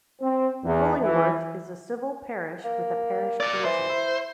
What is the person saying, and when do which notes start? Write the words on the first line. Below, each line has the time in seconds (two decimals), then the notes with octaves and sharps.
Cullingworth is a civil parish with a parish council.
0.21 C4
0.65 E2
1.01 E3
2.65 A#3
3.40 A#4 D5
3.65 E3 C5
3.89 E4